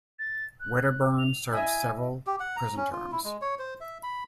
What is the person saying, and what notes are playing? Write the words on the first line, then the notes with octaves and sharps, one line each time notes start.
Wedderburn served several prison terms.
A6
F#6
F7
E4 D#5 E5 G#5
G4
F#5
A#5
C#4
F4
E4
G#3
C#5
C5
E5
B5